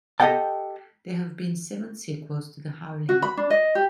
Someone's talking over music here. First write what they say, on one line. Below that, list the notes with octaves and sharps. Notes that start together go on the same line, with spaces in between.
There have been seven sequels to "The Howling".
G4 A4 D#5 F#5 G5 A5
F#4
B5
D4
D#5
G4